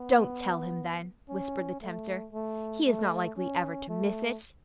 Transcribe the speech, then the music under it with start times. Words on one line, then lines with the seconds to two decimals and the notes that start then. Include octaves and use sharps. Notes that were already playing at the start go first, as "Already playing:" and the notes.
"Don't tell him, then," whispered the tempter, "he is not likely ever to miss it."
Already playing: B3
1.29 C#4
1.81 A3
2.33 A3
2.85 A3
3.37 C#4
3.89 A3